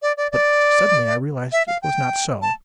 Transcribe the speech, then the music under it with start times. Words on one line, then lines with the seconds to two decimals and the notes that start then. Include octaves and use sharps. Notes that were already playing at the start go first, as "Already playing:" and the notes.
But suddenly I realized it was not so.
0.02 D5
0.17 D5
0.32 D5
1.52 E5
1.67 F5
1.82 G5
2.42 A5